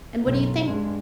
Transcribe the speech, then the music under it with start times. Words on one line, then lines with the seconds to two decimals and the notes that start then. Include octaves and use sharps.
And what do you think?
0.22 B1 F#2
0.63 G2 G#3